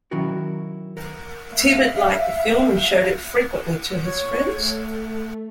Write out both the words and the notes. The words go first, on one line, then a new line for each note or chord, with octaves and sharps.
Tibbett liked the film and showed it frequently to his friends.
D#3 F#3 C#4 E4 F#4 A#4
A#4
E5 F5
C#5
A3